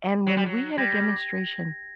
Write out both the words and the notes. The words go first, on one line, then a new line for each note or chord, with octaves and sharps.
and when we had a demonstration,
F#3
G3
F#3
G3 G#6 A#6